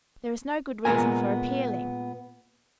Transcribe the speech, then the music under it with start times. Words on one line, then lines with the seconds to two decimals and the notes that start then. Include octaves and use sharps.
There is no good reason for appealing.
0.85 A#2 G#3 B3 A#4 G#5